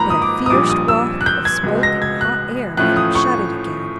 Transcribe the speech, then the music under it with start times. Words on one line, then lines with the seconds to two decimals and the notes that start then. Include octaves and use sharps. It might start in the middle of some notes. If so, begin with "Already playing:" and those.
But a fierce waft of smoke and hot air made him shut it again.
Already playing: G#1 G#2 F3 A#3 A#5 B5
0.10 D#6
0.22 D6
0.46 D#6
0.50 A#1 A#2 G3 D6
0.70 D#6
0.88 E6
1.21 F#6
1.26 G6
1.45 G#6
1.63 C#2 B2 G#3
1.83 A#6
2.02 G#6
2.21 F#6
2.77 A2 F3 A3 C#4 F4 F#6
2.97 D#6
3.15 C#6